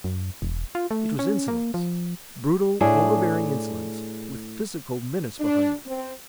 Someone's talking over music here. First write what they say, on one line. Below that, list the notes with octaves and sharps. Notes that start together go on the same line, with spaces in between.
It was insolence--brutal, overbearing insolence, with physical menace behind it.
F#2
E1
F4
A3
C#4
A#3
F3
A2 D4 G#4
D4
C4